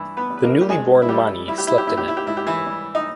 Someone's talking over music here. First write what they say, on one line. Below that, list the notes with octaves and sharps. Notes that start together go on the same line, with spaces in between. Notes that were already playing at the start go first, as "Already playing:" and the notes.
The newly born Mani slept in it.
Already playing: G2 E3 E4
B3 B4
G3
B4
A#3 A#4
G4
G2 G#3 G#4
E4
G3 G4
G3 E4
G4
E4
G4
A#2 E4
G4
E4
G4
G#2 E4
G4
E3 E4
G3
D#4